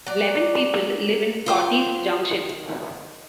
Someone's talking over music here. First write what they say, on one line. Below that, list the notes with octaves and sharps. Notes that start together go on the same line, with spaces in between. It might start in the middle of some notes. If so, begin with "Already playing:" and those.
Eleven people live in Scotty's Junction.
F#3 D5
F4 C5 G5
D#3